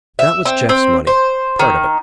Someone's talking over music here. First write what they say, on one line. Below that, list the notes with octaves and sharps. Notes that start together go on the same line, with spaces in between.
That was Jeff's money--part of it.
E5
C4
C4
C5
D#3